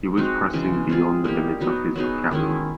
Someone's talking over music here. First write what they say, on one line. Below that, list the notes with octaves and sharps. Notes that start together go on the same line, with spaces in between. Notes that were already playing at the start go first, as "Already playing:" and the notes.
He was pressing beyond the limits of his vocabulary.
G#3 C4 D#4 F#4
C#3 E3 G#3 C#4
G#3 C4 F4 G#4
G3 A#3 D#4 G4
F#3 B3 D#4
F#3 B3 D#4 G#4
D#3 G#3 C#4 E4